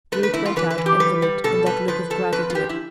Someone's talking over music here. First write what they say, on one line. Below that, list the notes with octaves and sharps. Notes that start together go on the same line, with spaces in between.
Ruth went out enveloped in that look of gratitude.
A3 B4
B4
E2 E4
F4
E3 B4
B4
E3
G4
G3 B4
G3
B2 A4
G3 B4
F3 B4
F3 A4
F2 B4
F4
F3 G4
E4